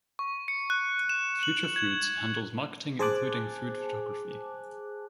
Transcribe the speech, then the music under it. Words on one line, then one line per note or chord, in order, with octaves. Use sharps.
Future Foods handles marketing including food photography.
C#6
C#7
F#6
E7
F#7
G#6
G#4 C5 G#5 A5 D6 F#6